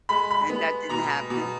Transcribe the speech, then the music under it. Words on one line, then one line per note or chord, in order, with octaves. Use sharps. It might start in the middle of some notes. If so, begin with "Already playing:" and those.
And that didn't happen?
G#3 B5
B5
B3
B2 A#5
B2